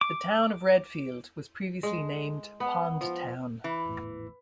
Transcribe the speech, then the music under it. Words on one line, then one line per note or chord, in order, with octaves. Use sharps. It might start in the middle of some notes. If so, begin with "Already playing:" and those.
The town of Readfield was previously named Pond Town.
D6
G#3
B3
F3
E3
G#1 E2 A2